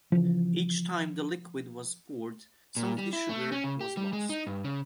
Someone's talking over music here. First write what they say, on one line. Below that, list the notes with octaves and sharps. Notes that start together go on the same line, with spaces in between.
Each time the liquid was poured, some of the sugar was lost.
C#3 E3 F3
A#2
G3
E4
A3
C#4
C#3
G4
G3
G#3
D#4
G2
C#3